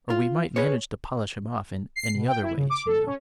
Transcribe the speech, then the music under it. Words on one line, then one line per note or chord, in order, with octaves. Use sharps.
"Or we might manage to polish him off in any other way, you know."
F4
G#4 B4 C#5
C7
B2
G5
E4
C#3
D6
A4
C#4